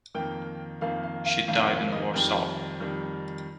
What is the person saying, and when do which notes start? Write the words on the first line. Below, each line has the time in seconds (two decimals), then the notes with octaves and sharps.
She died in Warsaw.
0.15 F2 D#3 A#3 G5
0.81 F2 D#3 A#3 F5
1.03 F5
1.25 F5
1.48 F2 D#3 A#3 F5
1.70 F5
1.92 D#5
2.14 F2 D#3 G3 G5
2.80 F2 D#3 G3